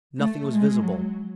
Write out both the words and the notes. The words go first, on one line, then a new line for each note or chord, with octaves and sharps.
Nothing was visible.
A3
G#3
F#3